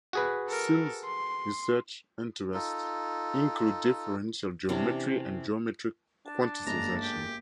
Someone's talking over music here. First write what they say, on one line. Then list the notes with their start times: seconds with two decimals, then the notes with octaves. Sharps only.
Simms' research interests include differential geometry and geometric quantisation.
0.13 F#4 G#4 B4
0.49 A4 A#4
1.05 C6
2.54 D#4 F4 A4
4.69 C3 E3 C#4 D4
6.27 D4
6.67 G1 F#2 G#3 A#3 A#5
7.03 G4